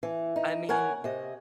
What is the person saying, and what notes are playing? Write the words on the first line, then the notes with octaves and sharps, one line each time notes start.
I mean,
E3
D#4
A#4 C#5 F#5 G#5
C3 D#5